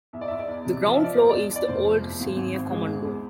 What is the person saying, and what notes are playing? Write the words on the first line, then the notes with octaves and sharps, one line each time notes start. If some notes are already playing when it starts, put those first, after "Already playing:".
The ground floor is the Old Senior Common Room.
E2 E5
D5
E2 E5
D5
E2
C3
F3
E5
F3 D5
E2 C5
E2 D5
E2 D5
F1 C5
F3
E2
G#1
G#1
G#1
G#3
E2
E2